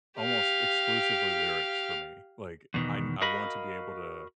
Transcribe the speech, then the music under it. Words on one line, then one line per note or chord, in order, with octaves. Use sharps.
almost exclusively lyrics for me, like, I n I want to be able to
G4 F5
E2 B2 D#3
F#4 A#4 D#5 F5 B5